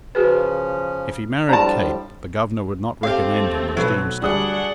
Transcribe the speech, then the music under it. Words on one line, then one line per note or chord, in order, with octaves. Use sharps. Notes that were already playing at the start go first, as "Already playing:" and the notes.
If he married Kate, the Governor would not recommend him as Deemster.
C#3 F3 C#4 F#4 G#4 B4
A2 F3 G3 D4 A5 A#5
A3 C4 G4 F5
B1 F#3 A4 B4
D2 G3 D4 G#4 F#5 D#6